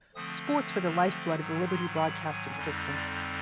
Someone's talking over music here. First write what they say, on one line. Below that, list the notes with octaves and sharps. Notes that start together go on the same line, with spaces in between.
Sports were the lifeblood of the Liberty Broadcasting System.
D3 F3 A3 C4 D#6
E6
F6
G#2 D#3 F#3 E6
C6
B5
G#5
F2 D3 G3 C4 D#4
D5